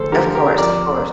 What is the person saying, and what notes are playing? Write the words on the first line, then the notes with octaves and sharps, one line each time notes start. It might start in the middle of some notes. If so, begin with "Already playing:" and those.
Of course, of course.
Already playing: D2 A4 C5
D3 G4 A#4
G4 A#4
F2 A#4 D5